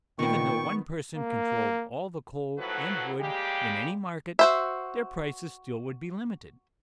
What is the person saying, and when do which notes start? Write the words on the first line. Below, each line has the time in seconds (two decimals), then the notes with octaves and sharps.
Even though one person controlled all the coal and wood in any market, their prices still would be limited.
0.19 A#2 D#3 B3 G5 C#6
1.17 A#3
2.59 A2 F3 F#3 F#4 B4
3.21 G3 G#3 A#3 G4
4.39 F#4 C5 E5